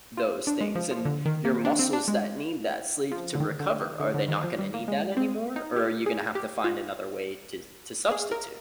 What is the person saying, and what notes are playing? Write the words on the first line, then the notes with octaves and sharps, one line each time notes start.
those things, and your muscles that need that sleep to recover, are they not gonna need that anymore, or are you gonna have to find another way to to substitute?
F4
D4
G#3
F3
F3
D3
D#3
A#3
D4
C4
D4
G#3
F3
D3
D#3
D3
D#3
D3
D3
D#3
F3
G3
A#3
G#3
C4
D#4
G4
G#4
G4
F4
G#4
A#4